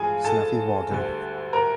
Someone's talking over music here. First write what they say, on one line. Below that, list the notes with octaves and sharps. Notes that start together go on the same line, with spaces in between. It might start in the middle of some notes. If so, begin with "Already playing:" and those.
Snuffy Walden.
Already playing: G2 E3 G#3 F4 G#4 F5 G#5
A4 A5
D2 D3 G3
A#4 A#5